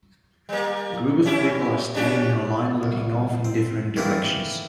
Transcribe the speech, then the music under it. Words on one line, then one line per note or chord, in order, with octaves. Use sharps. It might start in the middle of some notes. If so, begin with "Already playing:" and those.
A group of people are standing in a line looking off in different directions.
G3 A#3
C#4 E4 G4
C#4 D4 G4
C2
C4
D#3 E3 A3 A#3 C4 D#4